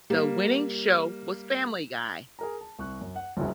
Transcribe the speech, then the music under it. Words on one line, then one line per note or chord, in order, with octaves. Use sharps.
The winning show was Family Guy.
G3 A#3
G#4 A#4 A#5
A5
C2 C#6 F#6
F#2
F#5
F#1 C#2 G2 F#3 E4 G#4